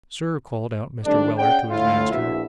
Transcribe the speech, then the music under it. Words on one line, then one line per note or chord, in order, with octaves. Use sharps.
'Sir,' called out Mr. Weller to his master.
D#3 G3 A3 C4 D4
C#4 G#4 C#5 D5 F#5 G5
D2 A2 E4 F4
A#1 E2 E3 F#4 E5